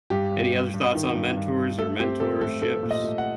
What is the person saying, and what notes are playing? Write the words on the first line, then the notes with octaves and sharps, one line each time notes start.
Any other thoughts on mentors or mentorships?
G2 G4
G2
G2
G2
D#3
G2
G2
G2
A3 A4
C4 G4
C4 A4
A3 A4
A3 A4
A#2
D#5
A3
F#5